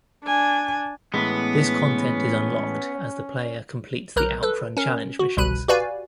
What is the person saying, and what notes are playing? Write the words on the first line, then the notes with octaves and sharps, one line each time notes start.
This content is unlocked as the player completes the OutRun Challenge missions.
D4 G#5
A2 E3 G#3 B3 C#4
B1 A#4 A#5 F#6 G6
A4 B4
C#4 A#4
F#4
G1 C2 B2 B5 F#6 D#7
F#4 G4 B4 D5 F5 G#5